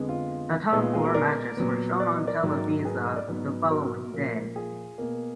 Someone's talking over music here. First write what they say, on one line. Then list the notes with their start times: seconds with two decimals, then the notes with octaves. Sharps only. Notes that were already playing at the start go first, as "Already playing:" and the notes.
The top four matches were shown on Televisa the following day.
Already playing: F2 D3 G#3 B3
0.09 F4
0.72 A#2 G#3 B3 D#4
0.83 F4
0.93 F4 G#4
1.04 F#4 A#4
1.14 A#4 D5
1.57 A#2 F#3 B3
2.00 D5
2.14 D#5
2.27 A#4 D5
2.43 G#2 D#3 F#3 A#3
2.85 G#4 B4
3.06 D#5
3.16 D5
3.27 G#2 F#3 B3 G#4 B4
3.70 F#4 A#4
4.13 A#2 F3 A#3
4.56 F4 G#4
4.98 B2 A#3